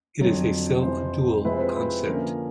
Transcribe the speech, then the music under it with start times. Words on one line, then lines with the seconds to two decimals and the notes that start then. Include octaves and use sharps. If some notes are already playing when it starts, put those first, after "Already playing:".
It is a self-dual concept.
0.21 F2 D3 F#3 C#5
0.83 F2 C3 E3 C5
1.45 C3 F3 G#3 C4 E4 B4
1.53 C5
1.60 B4
1.68 C5
1.76 B4
2.07 D3 F3 A#3 C#4 A#4